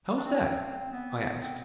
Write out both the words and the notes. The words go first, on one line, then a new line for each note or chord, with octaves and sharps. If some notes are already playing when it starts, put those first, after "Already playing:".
"How is that?" I asked.
D4
C4
D4
C4
B3
C4